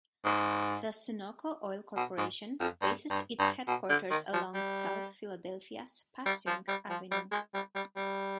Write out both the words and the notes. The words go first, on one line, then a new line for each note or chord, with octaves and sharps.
The Sunoco oil corporation bases its headquarters along South Philadelphia's Passyunk Avenue.
G#2
B2
G#2
F2
G2
G2
G2
B2
D3
D#3
F3
G3
G3
F3
G3
F3
G3
G#3
G3
G3
G3